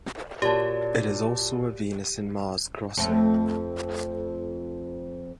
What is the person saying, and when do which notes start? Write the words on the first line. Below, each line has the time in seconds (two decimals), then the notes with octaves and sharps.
It is also a Venus and Mars-crosser.
0.42 A#2 F#4 G4 C#5 D5 A5
2.97 F2 A3